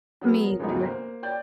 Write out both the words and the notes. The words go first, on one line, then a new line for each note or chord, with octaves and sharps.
I mean, he was
F#3 B3 G#4
A#4 C#5
E3 F3 G#3 A3 B3 D#4
D2 C3
A#3 C5
C#5 D5 G5 G6